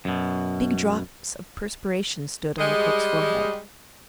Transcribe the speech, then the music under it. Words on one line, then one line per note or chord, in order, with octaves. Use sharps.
Big drops of perspiration stood on Lecoq's forehead.
F#2 B2
G3 G#3